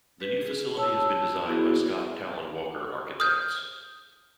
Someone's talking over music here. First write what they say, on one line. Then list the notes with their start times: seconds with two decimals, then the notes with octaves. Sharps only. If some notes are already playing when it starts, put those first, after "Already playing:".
The new facility has been designed by Scott Tallon Walker architects.
0.21 B4
0.41 G#4
0.75 C#5 A5 E6
1.46 B3 E4 F#4 G#4
3.20 D#6 F6 G6